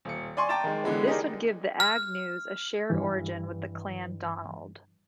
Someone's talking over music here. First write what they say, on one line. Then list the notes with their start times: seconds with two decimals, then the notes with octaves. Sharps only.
This would give the Agnews a shared origin with the Clan Donald.
0.05 D#1 C#7
0.37 D5 G#5 C6 C#6
0.49 G5 A5 A#5 D6 A6 E7
0.64 D#3 G#3
0.84 D3 E3 G#3 B3
1.07 D#4 G4 G#4 A#4 D5
1.80 F6
2.90 G2 E3